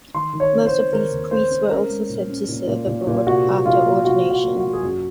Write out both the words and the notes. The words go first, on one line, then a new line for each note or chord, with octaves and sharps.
Most of these priests were also sent to "serve" abroad after ordination.
D#3 C6
D#3
C#5
C4
C5
D#3
D#3 A#4
D#2
C4 C5
C4
C#4 A#4
G#3
A#2
C#4
A#2
A#2
A#2
A#2
C3 F#4
C3
F#3 F4
A#3
C3 F#4
C3
F#4
A#3
F#4
F#3
G#4
F#2 F#4